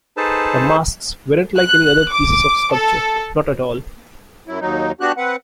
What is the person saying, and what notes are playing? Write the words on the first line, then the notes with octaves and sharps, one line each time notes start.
The masks weren't like any other pieces of sculpture, not at all.
D#4 G#4 A4 B4 C5 A5
F#6
D6
A4
F#2 F#3 E4
D#2 F#3 D#4
B3 D4 F#4 G4 F#6
C4 B4 F#5